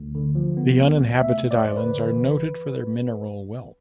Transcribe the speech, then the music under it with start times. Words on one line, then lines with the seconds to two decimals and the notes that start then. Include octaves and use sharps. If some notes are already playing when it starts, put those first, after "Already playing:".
The uninhabited islands are noted for their mineral wealth.
Already playing: D2
0.15 D3
0.35 F3
0.57 B3
0.78 D2
0.98 C3
1.20 A3 E5
1.41 F2
1.51 D5
1.62 F2 C5
1.77 B4
1.83 D3
2.05 E3
2.25 G1